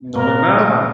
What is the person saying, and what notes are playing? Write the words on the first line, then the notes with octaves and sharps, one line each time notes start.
No, they're not.
A#2 A#4